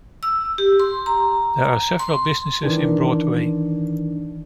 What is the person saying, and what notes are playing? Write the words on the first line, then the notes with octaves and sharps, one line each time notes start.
There are several businesses in Broadway.
E6
G4
C6
A#5
C6
D#3 E3 D4